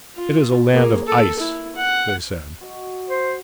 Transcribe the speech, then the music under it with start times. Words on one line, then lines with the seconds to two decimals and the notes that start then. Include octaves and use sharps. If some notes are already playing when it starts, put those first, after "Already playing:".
"It is a land of ice," they said.
0.16 F4
0.71 A#3 G#4
1.07 A4
1.39 E4
1.76 F#5
2.61 F#4 D#5
3.09 C5